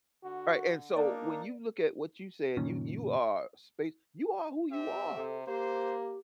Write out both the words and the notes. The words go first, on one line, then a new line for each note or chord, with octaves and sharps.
Right, and so, when you look at what you said, you you are space you are who you are.
D3 F#4
A#3 D4 D#4 D5
F#1 A#2 D#3 C#4
C4 G4 E5
C3 A4
A#3 G4 C5